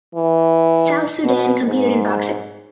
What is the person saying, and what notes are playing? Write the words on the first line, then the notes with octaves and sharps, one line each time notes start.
South Sudan competed in boxing.
E3
B2
G#2